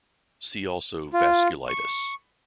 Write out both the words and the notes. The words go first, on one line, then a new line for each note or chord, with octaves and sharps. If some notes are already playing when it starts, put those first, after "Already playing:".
See also vasculitis.
F4
C#6